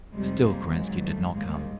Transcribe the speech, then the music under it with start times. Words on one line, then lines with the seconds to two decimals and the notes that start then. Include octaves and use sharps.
Still Kerensky did not come...
0.13 F2 C3 D#3 G3 G#3
0.43 G#3 A#3
0.73 G#2 D#3 F#3 G#3
1.03 G3 A3
1.33 D#2 D#3 G3 G#3 A#3